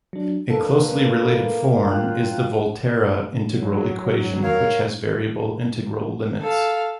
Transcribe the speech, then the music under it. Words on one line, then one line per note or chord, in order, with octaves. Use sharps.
A closely related form is the Volterra integral equation which has variable integral limits.
F#3 D4
F2 A#3 D4 A4 B4
F#3 F4 F5 G5 F#6
F#3
A#4 C#5 F5
A4 F5